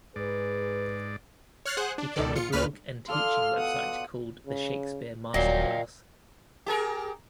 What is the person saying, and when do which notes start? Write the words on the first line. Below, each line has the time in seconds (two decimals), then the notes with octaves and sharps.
He kept a blog and teaching website called "The Shakespeare Masterclass".
0.16 G#2 G#4 B4 D5
1.65 C#5 F6 F#6 A6 C7
1.77 G#4 C5 F#5 F#6
1.98 D4
2.16 C#2 B2 D#3 A4 D5
2.35 A#1 F4 C#7
2.52 D2 A#2 B4 F6 B6
3.08 F4 A4 D5 C6 F6
3.57 B2 F#5 D#6
4.47 C#3
5.34 D#1 A#2 F#3 D#5 F5 G5
6.66 G4 G#4 A#4